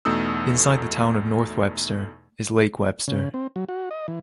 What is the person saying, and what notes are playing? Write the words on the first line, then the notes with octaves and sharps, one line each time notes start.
Inside the town of North Webster is Lake Webster.
E2 B2 A3 D#4 D#6 E6
C#3
C4
F#3
F#4
D#5
E3